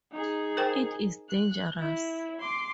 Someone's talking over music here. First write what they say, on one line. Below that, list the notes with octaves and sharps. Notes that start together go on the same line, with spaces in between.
It is dangerous.
D#4 G#4
A#4 C5 G5
F#6
E4
C6 D6